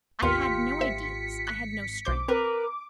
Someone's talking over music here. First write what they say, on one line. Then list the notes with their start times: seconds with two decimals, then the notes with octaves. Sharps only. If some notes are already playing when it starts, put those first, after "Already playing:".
I had no ideas; I had no strength.
0.22 G#1 D#2 A#3 B3 F4 G4 B6 C#7
0.81 A#3 C5 E5
1.47 F#6
2.05 B1 C5 D6 G6
2.28 C4 A#4 B4